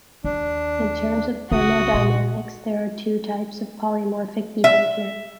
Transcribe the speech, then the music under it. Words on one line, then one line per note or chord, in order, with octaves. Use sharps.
In terms of thermodynamics, there are two types of polymorphic behaviour.
D#2 D4
C#2 F#4 D#6
A#2
E5